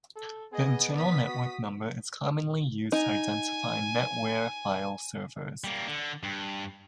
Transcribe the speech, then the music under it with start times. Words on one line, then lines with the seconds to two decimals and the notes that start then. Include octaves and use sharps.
The internal network number is commonly used to identify NetWare file servers.
0.16 A4
0.53 B3 G#4 D#5
0.94 D5 D#6 B6
1.28 F#4
2.92 D#4 G#5
5.64 G3 A#3
5.88 D3
6.23 G2